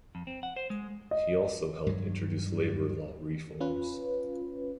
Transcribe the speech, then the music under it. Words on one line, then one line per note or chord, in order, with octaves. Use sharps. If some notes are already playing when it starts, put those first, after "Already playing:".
He also helped introduce labor law reforms.
F2
C4
F#5
C5
G#3
D#5
G2 F#3
C#4 F4 B4